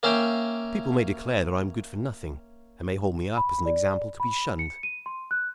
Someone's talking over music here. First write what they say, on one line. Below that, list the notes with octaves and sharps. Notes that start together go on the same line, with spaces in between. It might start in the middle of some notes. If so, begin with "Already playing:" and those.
People may declare that I am good for nothing, and may hold me up as an example to be shunned.
A#3 C#4 E5 F5 G5
B5
D5
B5
C#7
D#7
C6
F#6